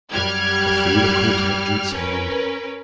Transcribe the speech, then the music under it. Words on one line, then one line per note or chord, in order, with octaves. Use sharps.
Elfrida caught Edred's hand.
F#2 G3 G4 F6 F#6 G#6
C#4 A#4 B4